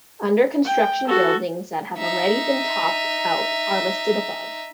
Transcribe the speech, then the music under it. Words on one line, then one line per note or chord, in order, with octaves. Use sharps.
Under construction buildings that have already been topped out are listed above.
G5
F#4 A4
D#4 E5